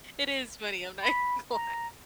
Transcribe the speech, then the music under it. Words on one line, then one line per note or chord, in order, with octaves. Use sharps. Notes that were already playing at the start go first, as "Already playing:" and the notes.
It is funny, I'm not even gonna lie.
B5
A#5